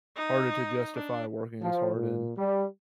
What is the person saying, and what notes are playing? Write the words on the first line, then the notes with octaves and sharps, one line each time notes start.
harder to justify working as hard in
D#4
D4
F3
A#2
G3